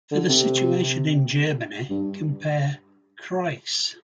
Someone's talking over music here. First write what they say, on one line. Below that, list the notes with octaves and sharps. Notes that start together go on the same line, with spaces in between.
For the situation in Germany compare "Kreise".
D3
C3
G2